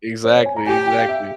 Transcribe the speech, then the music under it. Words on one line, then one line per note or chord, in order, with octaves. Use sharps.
Exactly exactly,
C5
C#5
G#5
A#5
G4 G#5
G5
G5
F5
E5